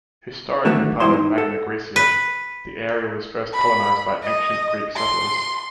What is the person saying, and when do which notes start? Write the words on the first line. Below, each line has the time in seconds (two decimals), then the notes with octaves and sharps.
Historically part of Magna Graecia, the area was first colonised by ancient Greek settlers.
0.65 D3 D#3 F#3 A3 B4
1.00 E2 G#2 D#3 E4 C5 C6
1.13 D#4
1.38 A4 F#5
1.96 B4
3.54 B5
4.23 D#5
4.96 C6